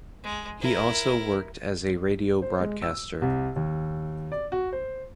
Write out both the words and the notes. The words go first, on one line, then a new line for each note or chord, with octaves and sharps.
He also worked as a radio broadcaster.
G#3
E4 A#4
C5
G#3
E6
C2
D#2
D5
F#4
C5